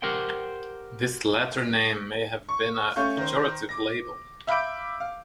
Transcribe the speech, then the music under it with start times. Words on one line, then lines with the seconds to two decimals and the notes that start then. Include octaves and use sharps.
This latter name may have been a pejorative label.
0.02 G4 A#4 C5 F#5 G5
2.49 C#6
2.96 A3 C#4 F5 C#6 G6
3.17 D#3 C5
3.69 D6 A#6
4.47 E5 F5 B5 D6 G6 D7
5.00 F5